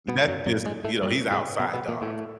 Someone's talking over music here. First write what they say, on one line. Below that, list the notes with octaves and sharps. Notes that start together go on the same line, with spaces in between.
That's just you know, he's outside dog.
B2 B3
F#2 F#3
F#2 F#3
G#2 G#3
A2 A3
G2 G3
G#2 G#3
B2 B3
B2 B3
A#2 A#3
A2 A3